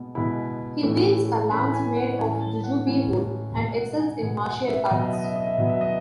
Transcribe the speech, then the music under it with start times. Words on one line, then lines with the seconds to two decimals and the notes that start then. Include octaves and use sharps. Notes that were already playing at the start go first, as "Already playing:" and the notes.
He wields a lance made of jujube wood and excels in martial arts.
Already playing: B2 G#3 B3
0.15 B2 G#3 B3 E4 B5
0.83 A2 E3 A3 C#4 E4
1.51 A2 E3 A3 C#4 E4 B5
1.74 G#5
1.96 F#5
2.19 A2 E3 G#3 C#4 E4 G#5
2.41 A5
2.64 F#5
2.87 A2 E3 G#3 C#4 E4 G#5
3.54 B2 G#3 B3 G#5
3.78 F#5
4.00 G#5
4.22 B2 G#3 B3 G#5
4.45 F#5
4.68 E5
4.90 B2 F#3 B3 D#5
5.02 E5
5.13 D#5
5.24 E5
5.36 D#5
5.47 E5
5.58 B2 F#3 B3 D#5
5.69 E5
5.81 D#5